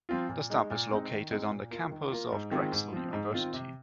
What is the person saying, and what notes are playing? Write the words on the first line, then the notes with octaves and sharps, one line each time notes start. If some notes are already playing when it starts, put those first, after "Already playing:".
The stop is located on the campus of Drexel University.
F3 C4 F4
A#2
G#3 D#4
A#2
G#3 C4 D#4
D#3
G#3 C4 D#4
A#2
A#3 F4
D#3
A#3 F4
G#2
D#3 G#3 C4 F4
G#2
F3 C4
G#2
D#3 C4 F4
C3